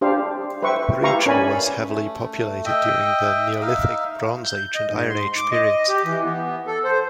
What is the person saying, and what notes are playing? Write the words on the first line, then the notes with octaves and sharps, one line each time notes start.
The region was heavily populated during the Neolithic, Bronze Age and Iron Age periods.
D4 G4 C5 F5
B4 C5 E5 G5 C#6
E4 G4 B4 F5 A#5 C#6
C#4 A#4 D5 G#5 B5
A3
D#5 E5 G5
D#4 E5 F5
G6
D#5
G#2
C6
D6
D#5
G4
E3
B3
A4
C5